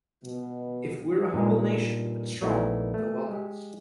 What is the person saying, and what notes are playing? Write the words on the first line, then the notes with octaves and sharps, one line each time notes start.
If we're a humble nation, but strong, they'll welcome us.
B2
G2 A#2 D#4
A#1 A3 B3 D#4 E4 D5
A3
G#3 G4